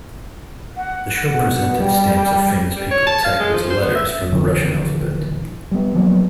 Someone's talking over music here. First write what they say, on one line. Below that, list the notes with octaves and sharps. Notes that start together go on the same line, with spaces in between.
The show presented stamps of famous people tagged with letters from the Russian alphabet.
F#5
B2
B2
G3 G5
G3
C#5
A5
F5
G#3
F3
C5
B3
E5
D#1 D3 E3 F3
G3 B3
F3 F#3 A#3 B3